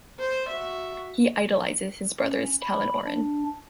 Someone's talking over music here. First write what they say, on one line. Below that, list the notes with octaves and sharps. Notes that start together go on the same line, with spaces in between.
He idolizes his brothers Tell and Orrin.
C5
F#4 E5
C#4
B5
D4